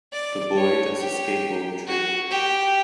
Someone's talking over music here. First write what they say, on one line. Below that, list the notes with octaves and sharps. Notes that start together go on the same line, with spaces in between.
The boy does a skateboard trick.
D5
C#5
G4
F#4
G4